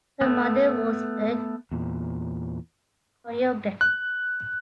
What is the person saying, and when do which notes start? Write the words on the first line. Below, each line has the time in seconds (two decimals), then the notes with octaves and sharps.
Her mother was a choreographer.
0.21 A3 B3
1.71 E2 A#2
3.81 F#6